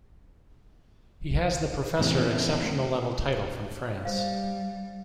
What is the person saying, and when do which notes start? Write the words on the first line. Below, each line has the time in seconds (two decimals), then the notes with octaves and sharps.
He has the Professor exceptional level title from France.
1.99 E2 A2 C3
4.05 G3 C5 F5